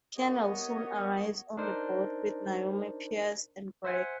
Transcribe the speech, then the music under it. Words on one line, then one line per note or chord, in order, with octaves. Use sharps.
Kendall soon arrives on the boat with Naomi Pierce and Greg.
A#3 B3 G4 C#5 D#5 F#5
D4 D#4 A#4 C5
C5 E5 F#5 G#5